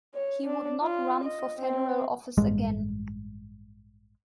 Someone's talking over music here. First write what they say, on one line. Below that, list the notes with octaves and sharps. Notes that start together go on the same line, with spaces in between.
He would not run for federal office again.
C#5
D4
F4
D#5
C4
A1 G2 G#3